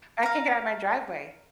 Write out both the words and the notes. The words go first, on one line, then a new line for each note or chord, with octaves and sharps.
but I can't get out of my driveway.
F5 A#5